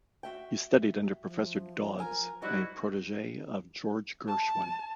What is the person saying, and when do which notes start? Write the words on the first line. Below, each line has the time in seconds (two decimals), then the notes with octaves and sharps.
He studied under Professor Dodds, a protegee of George Gershwin.
0.23 F#4 E5 G5
1.26 F3
1.99 A#4 G#5 A#5
2.42 G#2 F#3 G3 D#4 E4 F#4
4.28 A5